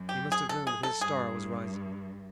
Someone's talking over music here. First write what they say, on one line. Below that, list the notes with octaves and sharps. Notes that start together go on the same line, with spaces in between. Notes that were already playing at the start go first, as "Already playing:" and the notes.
He must have known that his star was rising.
Already playing: F#2
G4
G#4
A4
G#4
A4
G2 G#4